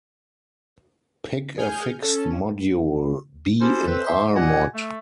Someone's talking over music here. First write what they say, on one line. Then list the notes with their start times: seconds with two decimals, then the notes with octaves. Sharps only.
Pick a fixed module "B" in "R"-Mod.
1.58 G#4 G#5 F6 G6
2.02 C#4 A4
3.61 C#4 E4 F#4 G4 A4 C5
3.87 C4 A4 B4 C5
4.06 C5 E5 C6
4.35 A#2 G4 D#5 F#5 G#5
4.75 A3